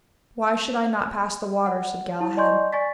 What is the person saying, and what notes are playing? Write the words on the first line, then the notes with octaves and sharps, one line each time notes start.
Why should I not pass the water? said Galahad.
F#5
E4 A5
D5 D#5 G#5 C6 C#6 G6
D5 G#5 C#6 A6 B6